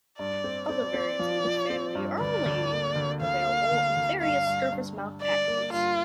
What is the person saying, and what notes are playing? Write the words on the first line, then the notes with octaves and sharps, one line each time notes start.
Other variants in this family are only available in various surface-mount packages.
G2 D5
C4
C4 D5
C4
F3
F3
C4
G2
D2 D5
D2
A#3
D2
D2 F5
A#3
D2
D2
G2 F5
G2
G2
G2
G2 D5
A#3
G2 F4